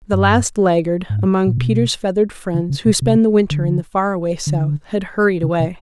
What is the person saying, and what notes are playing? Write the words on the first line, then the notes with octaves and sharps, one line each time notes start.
The last laggard among Peter's feathered friends who spend the winter in the far-away South had hurried away.
G2
G#2
A#2
B2
D3
C#3
B2
C3
D3
D3
C#3
C3